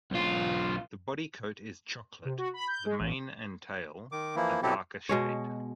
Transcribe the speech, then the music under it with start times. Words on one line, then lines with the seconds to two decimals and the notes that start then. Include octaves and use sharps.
The body coat is chocolate, the mane and tail a darker shade.
0.12 B1 F4
2.25 C3
2.38 F#4
2.54 B5
2.67 G6
2.86 G#3
3.00 A1
4.12 D#3 D6
4.36 E3 F3 A#3 E4
4.62 B2 F#3 C4 E4 G4 A4
5.09 B2 G#3 C#5